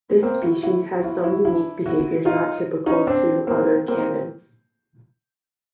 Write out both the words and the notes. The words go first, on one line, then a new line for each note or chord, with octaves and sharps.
This species has some unique behaviors not typical to other canids.
A#3 C4
E4 F#4
E4 F#4
F4
E4 F#4
E4 F#4
D4 E4
E4 F#4
D#4 F4
C#4 D#4
C4 D4
A#3 C4
A#3 C4